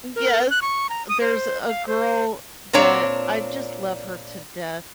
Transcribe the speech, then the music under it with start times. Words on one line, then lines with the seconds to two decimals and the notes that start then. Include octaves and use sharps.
Yes, there's a girl that I just love her to death,
0.16 A#4
0.50 F#6
0.62 C#6
0.89 A#5
1.09 D#6
1.21 C5
1.68 F5
1.88 C5
2.73 A#2 C4 D4 C#5 A#5